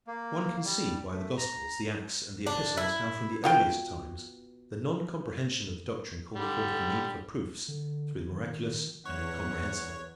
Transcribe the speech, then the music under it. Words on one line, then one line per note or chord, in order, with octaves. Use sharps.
One can see by the Gospels, the Acts, and the Epistles how from the earliest times the non-comprehension of the doctrine called forth the need for proofs through the miraculous and incomprehensible.
A#3
G3
A3
A#5
D4
E4
B2 F4 G5
D3 G3
D3
D#3
E2 C#5 F#5